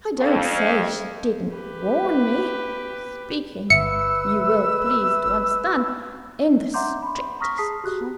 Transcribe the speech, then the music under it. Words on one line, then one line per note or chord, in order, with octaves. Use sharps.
I don't say she didn't warn me--speaking, you will please to understand, in the strictest confidence.
F2
G4 B4
G1 B4 E5 E6 C#7
E5 F#5 A#5 C6 D6 G6
B5 C6
A#5 C#6 D#6 F6 A#6 B6
G#4 A5 D#6 B6 C7
F#4 G4 F#6